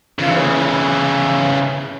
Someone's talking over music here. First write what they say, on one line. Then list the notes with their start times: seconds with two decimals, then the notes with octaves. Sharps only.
No! no!
0.19 C#3 E3